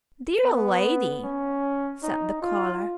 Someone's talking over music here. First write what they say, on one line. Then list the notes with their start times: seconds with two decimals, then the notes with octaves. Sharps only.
"Dear lady!" said the collar.
0.44 B3
1.23 C#4
2.03 D#4
2.42 F4